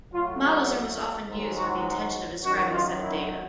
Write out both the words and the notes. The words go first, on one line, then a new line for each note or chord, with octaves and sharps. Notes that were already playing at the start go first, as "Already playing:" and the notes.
Models are most often used with the intention of describing a set of data.
A2 F#3 F4
F#4
G#2 D#3 F#3
F#4
F#2 D#3 F#3 F#4
F4
E4